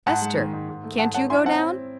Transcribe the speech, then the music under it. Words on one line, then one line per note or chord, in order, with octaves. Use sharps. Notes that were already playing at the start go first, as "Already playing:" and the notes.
Ester, can't you go down?
G#2 F#5 A5
G#3
D#3
G#2
G#2
A3
G#2 F#5 A5
C#4 F#5 A5
E4 G#5 C6
C4 F#5 A5